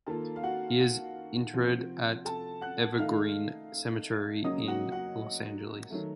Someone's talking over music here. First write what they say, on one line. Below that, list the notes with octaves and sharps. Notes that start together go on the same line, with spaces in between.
He is interred at Evergreen Cemetery in Los Angeles.
D#3 A#3 F4 A4 A5
F5
F#4 F#5
F#4 F#5
C3 F3 C4
A4 A5
F#5 F#6
D#3 A3 D#4 F5 F6
F#2 C#3 F#3 A#3 D#5 D#6
F#4 F#5
F#4 F#5
D#3 F#3 A3